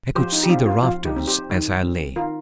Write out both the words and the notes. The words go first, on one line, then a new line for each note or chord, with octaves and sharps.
I could see the rafters as I lay.
F3 G4 C5
D#4
G4
C4 F4
F4
F3 F4
D#4 G4
C4
G4 C5
D#3
C4
D#3 F4 A#4